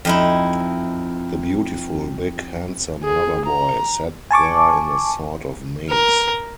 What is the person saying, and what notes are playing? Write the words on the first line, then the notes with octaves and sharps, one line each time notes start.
The beautiful, big, handsome lover-boy sat there in a sort of maze.
F2 D#4 E4
G#4
A#5
G#5 A5 C#6 D6
A#4